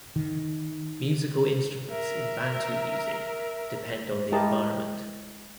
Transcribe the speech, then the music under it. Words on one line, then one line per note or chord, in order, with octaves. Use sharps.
Musical instruments in Bantu music depend on the environment.
D#3
A#4 E5
G#3 E4 G4 A#4 D#5 A5